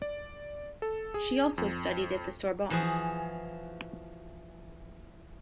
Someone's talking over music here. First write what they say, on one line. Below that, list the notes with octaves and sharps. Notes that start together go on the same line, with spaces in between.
She also studied at the Sorbonne.
D5
A4
G#4
F2
E3 F3 F#4 G#4